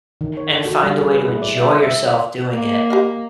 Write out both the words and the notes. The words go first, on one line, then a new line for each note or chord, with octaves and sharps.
and find a way to enjoy yourself doing it
D#3
C#5
A4
F#4
G3
G#4
B4
E4
D5
E5
E5
A#3
G4 D#5 F5